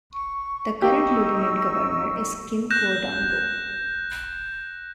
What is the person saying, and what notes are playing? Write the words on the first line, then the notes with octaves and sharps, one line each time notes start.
The Current Lieutenant Governor is Kim Guadagno.
C#6
D#4 G4 C#6 E6
F#6 G6 A#6 E7